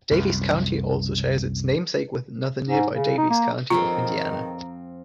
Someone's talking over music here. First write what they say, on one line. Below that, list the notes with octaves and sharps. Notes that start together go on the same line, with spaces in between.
Daviess County also shares its namesake with another nearby Daviess County of Indiana.
C2 F#2
G#2
C#3
D#4
A#3
F2 G#2 B2 D#3 F3 C4 F4 A#5